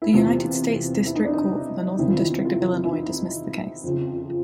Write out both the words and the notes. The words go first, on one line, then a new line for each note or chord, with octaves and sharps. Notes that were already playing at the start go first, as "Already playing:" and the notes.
The United States District Court for the Northern District of Illinois dismissed the case.
E4
E2 C3 E3 F4
E4
D#4
D4
D#4
E2 C3 D#3 E4
F4
E4
F4
E4
F4
E4
D#4
F2 C#3 F3